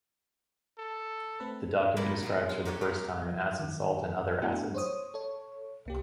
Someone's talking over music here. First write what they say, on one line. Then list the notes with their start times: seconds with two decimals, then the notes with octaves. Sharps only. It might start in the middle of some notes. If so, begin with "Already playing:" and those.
The document describes, for the first time, an acid salt and other acids.
0.78 A4
1.40 A3 C4 B4
1.96 F2 A#2 E4 A#4 A5 B5
2.22 B2 F3 F#3
2.49 G#3
2.65 D#4 F#4 G4 A4 C#5
2.81 F#3 G#3 D#4 G4
3.22 F3
3.59 D#3
4.42 A3 B3 D4 E4 F#4
4.75 C5 C#5 D#6
5.14 A4 C#5
5.86 C2 A#3 G4